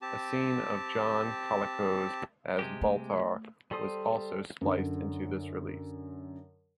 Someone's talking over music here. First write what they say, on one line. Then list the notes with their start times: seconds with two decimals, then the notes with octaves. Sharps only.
A scene of John Colicos as Baltar was also spliced into this release.
0.02 C4 G4 A5
2.59 C3 G#3 G4
2.81 A3
3.71 G3 A4 C5 D#6
4.61 F#2 D3